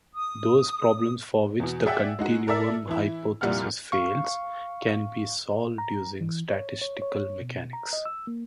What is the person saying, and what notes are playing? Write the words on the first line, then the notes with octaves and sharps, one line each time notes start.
Those problems for which the continuum hypothesis fails, can be solved using statistical mechanics.
D#6
E2 B2
G#4 D5 E5 F#5 G5 E6
G#3 D#4 F#4
A4 A#4 D5 E5 E6
E3 E4
F1 A#2 G3 E4 F#5 F6
F5 C#6
A#5
E3
C#5
C#5
C#5
B2
A#5
D#5
E6
A#3